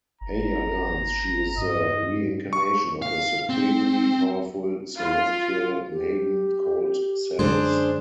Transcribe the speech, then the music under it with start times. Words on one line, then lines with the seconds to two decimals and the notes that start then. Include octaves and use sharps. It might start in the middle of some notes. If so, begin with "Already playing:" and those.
Aya learns she is the reincarnation of a supremely powerful celestial maiden called Ceres.
0.21 G1 A#5
1.58 G2 D#5
2.53 C#6
3.02 F5
3.49 C4
4.97 F4
5.91 G4
7.39 F#2 D3 G#3 D4 G#4 C5